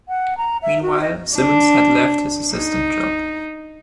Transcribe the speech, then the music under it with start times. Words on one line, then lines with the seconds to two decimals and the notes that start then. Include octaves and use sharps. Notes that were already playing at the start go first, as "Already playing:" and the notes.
Meanwhile, Simmonds had left his assistant job.
0.08 F#5
0.38 A#5
0.62 E5
0.83 F#4
1.01 D#5
1.36 D4
2.54 D#4